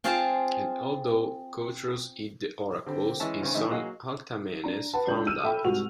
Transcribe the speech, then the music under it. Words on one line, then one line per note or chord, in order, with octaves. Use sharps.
And although Catreus hid the oracles, his son Althaemenes found out.
C4 F4 G#4 F5 G5 A5
D3 C4 G4
E3 G#3 C#4 E5 A5
G2 C#3 C4 C#4
A#1 A2 E3 G#3 D#4 E5
F#3 A#3 F#4 G#4 D#5 F5
D4 A#5
B4 F#5 A5
C#2 D4 G6 F#7
E6 F6 D#7 E7
A4 E5 G5 B5
C2 G#2 F#4 F7